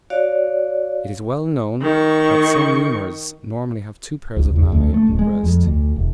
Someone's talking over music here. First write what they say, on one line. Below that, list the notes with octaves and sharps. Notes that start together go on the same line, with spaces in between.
It is well known that some Lemurs normally have two pairs of mammae on the breast.
F#4 C#5 D5 F5
D#3 C#6
C#2
E2
D2
A3
D1
G#3
F2
D2
E1